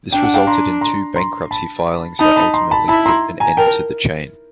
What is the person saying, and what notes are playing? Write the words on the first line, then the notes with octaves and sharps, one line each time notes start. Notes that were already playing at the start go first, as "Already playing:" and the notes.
This resulted in two bankruptcy filings that ultimately put an end to the chain.
D4 G5
F#5
F5 G5
A#5 C6
A#5 C6
A#5 C6
A5 B5
D#4 A5 B5
A5 B5
A#5 C6
A5 B5
E4 A5 B5
A#5 C6
G#5 A#5
A#4 G5 A5